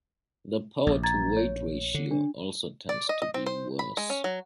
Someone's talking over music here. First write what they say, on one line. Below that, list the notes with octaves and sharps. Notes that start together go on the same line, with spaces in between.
The power to weight ratio also tends to be worse.
A#1
A#5 G#6 A6
C#5
D3
D4
D5
D#5
D#5
C4
C5
B5
G#3
C#4
F#3